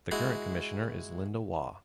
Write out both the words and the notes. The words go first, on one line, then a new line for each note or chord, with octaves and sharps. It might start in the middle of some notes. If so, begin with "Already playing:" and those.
The current Commissioner is Linda Waugh.
G#3 E4 F#4